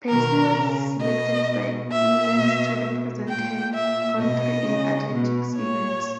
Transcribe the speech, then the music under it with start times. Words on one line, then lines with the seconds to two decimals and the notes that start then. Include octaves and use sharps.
Piercy was selected by England to represent her country in athletics events.
0.09 B2 D#3 A#4
0.55 C#3
1.01 B2 D#5
1.92 A#2 E5
2.37 B2
3.28 A#2 G5
3.74 E5
4.20 B2 D#5
4.65 C#3
5.11 B2
5.56 A#2 C#5